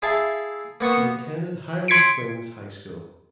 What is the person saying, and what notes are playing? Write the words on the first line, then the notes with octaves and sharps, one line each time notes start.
She attended Highland Springs High School.
E4 G#4 E5 F5 G#5 A5
A#3 B3 C#6 D#6
C6 G#6 B6 C#7 D7